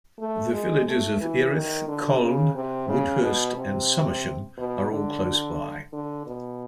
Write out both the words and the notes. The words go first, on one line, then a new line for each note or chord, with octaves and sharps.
The villages of Earith, Colne, Woodhurst, and Somersham are all close by.
A3
G#3
A3
E3
D#3
D3
C#3
C3
C#3
B2
C3
B2
D3
D3
B2